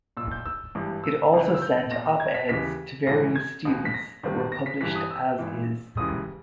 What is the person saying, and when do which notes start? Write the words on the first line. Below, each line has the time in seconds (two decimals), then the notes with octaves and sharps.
It also sent op-eds to various students that were published as-is.
0.17 A#2 E6
0.20 B1
0.31 G6
0.46 E6
0.75 G#1 G2 E3
1.04 E6
1.34 C#2 C#3 E3
1.54 E6
1.62 G6
1.91 A#2 A#6
1.95 A#1
2.20 G#6
2.34 B6
2.49 D#2 C#3 E3 B6
3.07 A#1 G#2 E3 A#6
3.36 G#6
3.65 C#2 B2
3.85 B6
3.94 A#6
4.23 G1 G2 D#3
4.52 A#6
4.66 B6
4.81 G1 G2 E3 B6
4.96 D#6
5.11 E6
5.38 G#1 G#2 E3
5.97 E1 D#2 C#3 E3 D#6